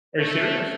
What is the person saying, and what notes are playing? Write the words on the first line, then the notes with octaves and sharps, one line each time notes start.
Are you serious?
A3